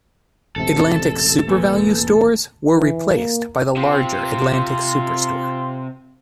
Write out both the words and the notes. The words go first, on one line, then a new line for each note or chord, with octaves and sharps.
Atlantic SuperValu stores were replaced by the larger Atlantic Superstore.
E1 A1 C3 A4
A#3 B4 G#5
E3
A#3
C3 C4 F4